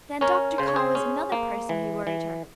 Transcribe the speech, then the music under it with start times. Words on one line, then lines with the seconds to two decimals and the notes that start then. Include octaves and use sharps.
Then Dr. Carr was another person who worried her.
0.21 C#4 A#4 C#5
0.58 C#3 C5
0.68 C#5
0.76 G#4 C5
0.95 C#4
1.32 A#3
1.69 E3
2.07 E3